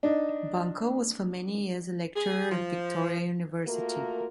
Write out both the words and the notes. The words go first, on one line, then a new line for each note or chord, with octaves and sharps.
Bunkle was for many years a lecturer at Victoria University.
D4 D#4
G#4
F3
A3 A#3 F4 F#4 A#4